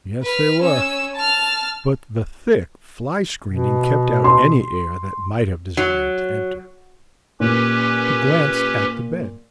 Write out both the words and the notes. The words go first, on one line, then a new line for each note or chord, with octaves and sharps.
Yes, they were; but the thick fly-screening kept out any air that might have desired to enter. He glanced at the bed.
B4 F6
C#4 E6
A5 F6
B2
C6
F#3
A#2 C#4 G4 B4